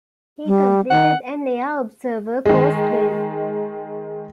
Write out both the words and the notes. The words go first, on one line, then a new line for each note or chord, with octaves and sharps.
He completed an air observer course then.
G3
D#3 F#5
D#3 G#3